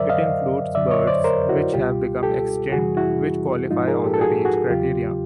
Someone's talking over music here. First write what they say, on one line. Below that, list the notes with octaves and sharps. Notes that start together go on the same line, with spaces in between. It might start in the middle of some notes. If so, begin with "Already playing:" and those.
It includes birds which have become extinct which qualify on the range criterion.
Already playing: F#2 D3 F#3 A#4 C5 D5 E5
D#5 F5
F#2 D3 F#3 D5 E5
C#5 D#5
C5 D5
A#4 C5
E4 F#4
C#2 B2 G3 F4 G4
G4 A4
F2 C3 E3 G3 F#4 G#4
E4 F#4
G#2 F3 G#3 D#4 F4
G#4 A#4
G4 A4
A4
F#4 G#4
F#4 G#4
E2 C#3 F#3 F4 G4